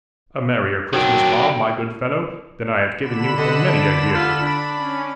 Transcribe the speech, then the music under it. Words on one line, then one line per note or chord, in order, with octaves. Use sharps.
'A merrier Christmas, Bob, my good fellow, than I have given you for many a year!
C3 D#3 F#3 D4 G5
D3 B5 E7
A4 D#5 F#5
D4
F4 A4
D4 B5
C#4